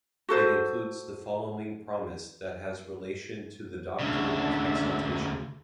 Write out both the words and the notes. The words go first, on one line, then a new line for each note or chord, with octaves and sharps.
It includes the following promise that has relation to the doctrine of exaltation.
F#4 A4 C5
D2 C#3 D4 E5